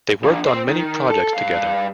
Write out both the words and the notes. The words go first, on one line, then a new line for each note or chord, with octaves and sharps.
They worked on many projects together.
F3 D4
C4 C5
D#3
A4
G2 F5